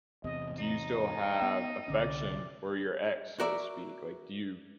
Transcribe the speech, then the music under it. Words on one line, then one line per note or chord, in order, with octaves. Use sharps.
do you still have affection for your ex, so to speak? Like, do you
E2 C3 D#5
D#4 A#5
B3
C2 D3 C#4 D5
F#4 A#4 D5 E5